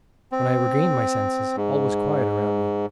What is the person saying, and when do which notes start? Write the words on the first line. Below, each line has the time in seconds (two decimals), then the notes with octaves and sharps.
When I regained my senses, all was quiet around me.
0.32 C4
1.56 G#2